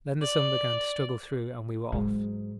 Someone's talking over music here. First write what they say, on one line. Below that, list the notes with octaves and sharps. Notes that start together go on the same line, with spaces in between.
Then the sun began to struggle through and we were off.
D5
G#2 F#3